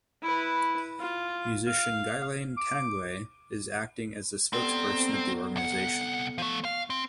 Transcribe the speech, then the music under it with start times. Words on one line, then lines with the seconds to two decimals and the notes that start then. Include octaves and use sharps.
Musician Guylaine Tanguay is acting as the spokesperson of the organization.
0.22 E4 B4
0.99 F4
1.67 F5
2.57 D6
4.53 B3 C4 A4 D5
5.56 C2 F#5
6.38 F3 A3
6.65 F5
6.90 C4